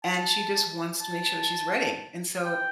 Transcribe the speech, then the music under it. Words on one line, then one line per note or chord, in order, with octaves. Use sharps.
and she just wants to make sure that she's ready, and so
A5
A5
G5